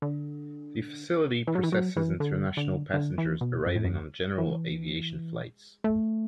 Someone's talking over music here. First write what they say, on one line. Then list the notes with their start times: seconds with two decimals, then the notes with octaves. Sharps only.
The facility processes international passengers arriving on general aviation flights.
0.02 D3
1.47 E3
1.55 F#3
1.63 E3
1.72 F#3
1.97 E3
2.20 D3
2.57 D3
2.94 D3
3.18 E3
3.41 B2
3.67 F#2
3.76 A2
3.84 F#2
4.38 E3
5.84 A3